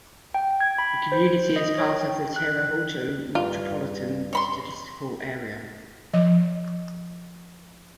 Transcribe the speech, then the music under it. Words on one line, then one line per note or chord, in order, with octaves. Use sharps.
The community is part of the Terre Haute Metropolitan Statistical Area.
G5
G#6
B5
C5
D#5
C#5
G5
F#6
G2 F4
C#5 B5 C6
F3 D#5